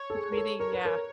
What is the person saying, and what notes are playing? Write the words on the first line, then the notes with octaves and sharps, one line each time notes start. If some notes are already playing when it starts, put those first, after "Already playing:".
breathing Yeah,
Already playing: C#5
A4
G#4
A#4
A4
A#4 C#5
B4
A#4